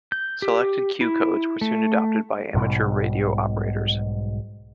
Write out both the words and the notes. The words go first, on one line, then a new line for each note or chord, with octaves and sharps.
Selected Q codes were soon adopted by amateur radio operators.
G6
G4
E4
A3
B1 G#2 B2 G3